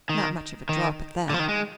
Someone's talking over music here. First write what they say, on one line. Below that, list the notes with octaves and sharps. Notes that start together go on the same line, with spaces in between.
Not much of a drop at that.
D#3
D#3
D3
F3
D#3
G#3